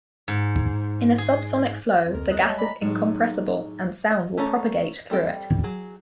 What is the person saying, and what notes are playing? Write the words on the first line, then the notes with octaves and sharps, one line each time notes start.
In a subsonic flow the gas is incompressible, and sound will propagate through it.
G#2
G#4
F2
D2 A#4
G3 D#5 F#6
G#3 C#5 E5 A5
D5 A#5 B5
A2 F#3 G#3 D#4
D#5
A3 C#4 A4 A#5
G3 C4 A4 G5
F#3 G#4